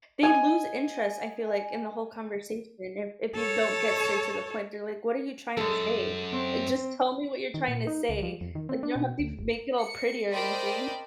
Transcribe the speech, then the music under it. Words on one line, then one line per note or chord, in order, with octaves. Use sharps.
they lose interest, I feel like, in the whole conversation if if you don't get straight to the point, they're like, "What are you trying to say?" Like, "Just tell me what you're trying to say. Like, you don't have to make it all pretty or anything."
D#5 G#5
A4 C#5
F#2 G#3 A4
C4 C5
D#3
A#2
D#4
C#2
F3
F2
D#3
C4
D4
B2
D2
F#1
C#7
A#4 C5 D5 D#5 G5 B5